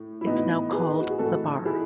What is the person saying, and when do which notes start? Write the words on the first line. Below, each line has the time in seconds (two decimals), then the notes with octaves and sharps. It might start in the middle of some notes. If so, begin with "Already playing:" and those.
It's now called The Bar.
Already playing: A2
0.21 E4
0.26 A2 E3 B3 D#4
0.72 G#4 B4
1.00 F#4
1.10 G#4
1.19 A2 E3 F#4 A4
1.65 E4 G#4